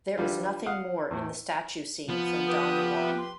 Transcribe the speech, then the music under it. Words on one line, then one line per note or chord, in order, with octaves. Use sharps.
There is nothing more in the statue scene from Don Juan.
D3 E3 G3 F4
F5 F#5 D#6
E2 A2
F3 B3
G4 B4 D#6
E5
C6